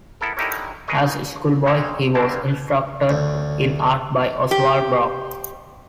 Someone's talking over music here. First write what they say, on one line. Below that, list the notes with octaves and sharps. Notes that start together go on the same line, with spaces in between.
As a school boy he was instructed in art by Oswald Brock.
B3 E4 A4 A#4
D3 D#4 E4 G4 A#4 C#5
G#4 A#4 B4 C#5 D#5
G#3 A#3 C4 C#5 E5
D3 G3 A#3 C4 D4 E4
D2
G4